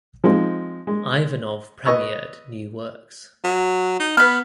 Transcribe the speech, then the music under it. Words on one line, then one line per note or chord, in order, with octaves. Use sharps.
Ivanov premiered new works.
F3 G#3 C4 D#4
G#3
B4 D#5 C#6 E6
F#3
D#4
B3 B4 F6